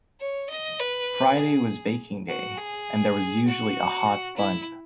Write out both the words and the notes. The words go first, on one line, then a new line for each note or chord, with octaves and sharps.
Friday was baking day, and there was usually a hot bun.
C#5
D#5
B4
G#4
F#4
G#4
F#4
E4